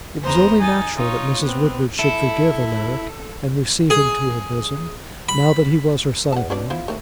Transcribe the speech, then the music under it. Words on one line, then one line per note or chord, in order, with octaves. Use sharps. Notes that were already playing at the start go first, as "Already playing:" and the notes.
It was only natural that Mrs. Woodward should forgive Alaric and receive him to her bosom, now that he was her son-in-law.
E2 B3 C5 A#5
D#4 G#5 A6
D#4 F4 C#5
B3 C4
E4 A4
G#4
B5
E2 F#5 A5
B2 C#4 D4 D5
B3 E4 F4 C5
D#2 A3 C4